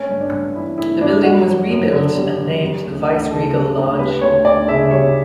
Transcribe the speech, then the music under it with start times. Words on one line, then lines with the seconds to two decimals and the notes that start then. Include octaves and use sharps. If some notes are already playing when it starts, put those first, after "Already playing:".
The building was rebuilt and named the Viceregal Lodge.
Already playing: A3 C#4
0.09 G2
0.21 D4
0.32 G2
0.55 E3 E4
0.78 A3 E4
1.01 G2 D4
1.23 G3 F#4
1.47 F#2
1.70 F#2
1.92 D3
2.16 G3
2.39 F#2
2.62 G3
2.84 D2
3.08 D2
3.30 C#3 A4
3.53 G3
3.77 D2
3.99 G3 B4
4.22 D2 C#5
4.45 D2 D5
4.68 C#3 E5
4.91 G3 C#5